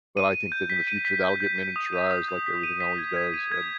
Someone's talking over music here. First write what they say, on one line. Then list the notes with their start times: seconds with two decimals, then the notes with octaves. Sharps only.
but I think that in the future, that'll get miniaturized, like everything always does, and
0.17 D#7
0.34 D#7
0.52 G6
0.70 B6
0.87 D#7
1.05 B6
1.23 G6
1.40 G6
1.58 B6
1.76 D#6
1.93 D#7
2.11 D#6
2.28 G6
2.46 B6
2.63 D#7
2.80 B6
2.98 G#6
3.16 G#6
3.34 D#7
3.52 G#6